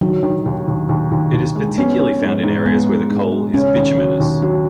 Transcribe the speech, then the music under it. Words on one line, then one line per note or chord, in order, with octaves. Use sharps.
It is particularly found in areas where the coal is bituminous.
D#3 F#3
D#3
D#2
D#2
D#2
D#2
D#2
G#3
B3 C#4
C#4
G#2
G#2
G#3 B3
G#3
G#2
G#3
C#3 C#4
D#2
F#3
D#2
F#3